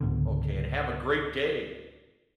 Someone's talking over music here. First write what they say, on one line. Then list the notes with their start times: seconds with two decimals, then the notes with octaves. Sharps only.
Okay, and have a great day.
0.01 C#2 G#2 B2 D3